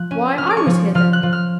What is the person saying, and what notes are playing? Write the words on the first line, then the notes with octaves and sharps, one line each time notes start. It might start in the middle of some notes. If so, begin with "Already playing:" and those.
Why, I was here then.
Already playing: F3 F#6
C#4
C#4 F6
D6
C#6
F3
F3 F6
F#6
F3
F6